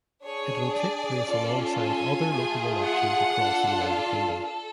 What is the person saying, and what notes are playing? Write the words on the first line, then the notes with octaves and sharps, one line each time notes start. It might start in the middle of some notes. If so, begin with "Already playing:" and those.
It will take place alongside other local elections across the United Kingdom.
D4 G#4 C#5
D5
C#4 F4 A4
G#5
A3 F4 G#4
F#5
D4 F4 A4
F5
A4